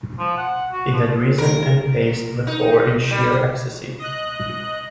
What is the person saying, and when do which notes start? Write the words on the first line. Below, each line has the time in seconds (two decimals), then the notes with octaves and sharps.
He had risen and paced the floor in sheer ecstasy.
0.19 F3
0.38 F#5
0.72 F#4
0.93 F3
1.38 A#4
2.47 D#4
3.11 G3
3.99 D#5 F#6